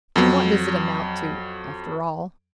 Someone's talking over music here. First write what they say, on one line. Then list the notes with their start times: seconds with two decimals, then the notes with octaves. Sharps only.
And what does it amount to, after all?
0.16 F2 F#3